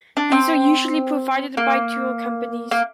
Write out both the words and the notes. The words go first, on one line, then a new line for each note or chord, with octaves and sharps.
These are usually provided by tour companies.
D4
C4
A#3
A#3